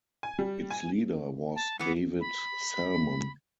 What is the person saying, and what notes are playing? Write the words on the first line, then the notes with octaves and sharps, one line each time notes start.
Its leader was David Salmon.
G#5
G3
G#5
A5
E3 B3 C#7
B5